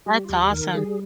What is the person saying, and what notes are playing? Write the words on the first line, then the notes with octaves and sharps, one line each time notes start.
That's awesome.
G3 G4
F4
D#2 G4
D#3 A#4
G3 G#4